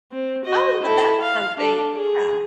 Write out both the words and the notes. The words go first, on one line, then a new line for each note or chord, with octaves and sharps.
Oh, now, that's something. Yeah.
C4
F#4 D#5
E4 A4
F5
D4 A4
G#4